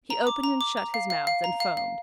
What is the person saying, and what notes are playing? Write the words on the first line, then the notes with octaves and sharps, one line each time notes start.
He opened and shut his mouth and foamed.
A#5
D6
A#5
D6
A#5
F5
F5
F5
A#5
F5
F5